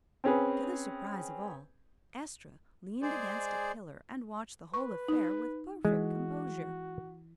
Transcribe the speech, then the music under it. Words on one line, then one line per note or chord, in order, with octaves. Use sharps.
To the surprise of all, Estra leaned against a pillar and watched the whole affair with perfect composure.
C4 C#4 G#4 B4
G#3 G#4 C5 D5
B4 C#6
D#4
E3 G#3 F#4